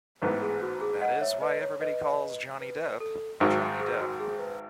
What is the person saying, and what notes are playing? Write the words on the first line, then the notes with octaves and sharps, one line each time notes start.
That is why everybody calls Johnny Depp 'Johnny Depp'.
A1 G#2 E3 B3 B4
G#4
F#4
G#4
D#5 F#5
C#5 E5
B4 D#5
C#5
B4 D#5
B4
A4
G#1 G#2 D#3 F#3
F#4
G#4
F#4
G#4
B4